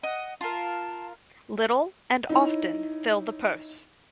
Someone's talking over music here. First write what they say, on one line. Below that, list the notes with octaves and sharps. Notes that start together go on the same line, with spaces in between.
Little and often fill the purse.
D#5 F#5
F4 A#4 A5
D#4 E4 C#5